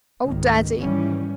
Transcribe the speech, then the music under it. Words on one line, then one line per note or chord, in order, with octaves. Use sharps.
Oh, daddy!
G#1 C#2 D#3
G#2 D#3 E3 G3 C#4